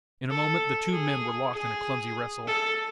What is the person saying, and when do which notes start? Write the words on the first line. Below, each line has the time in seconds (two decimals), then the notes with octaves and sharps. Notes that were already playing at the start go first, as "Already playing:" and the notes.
In a moment the two men were locked in a clumsy wrestle.
0.30 A4
0.92 G#4
1.54 G#4
2.47 A4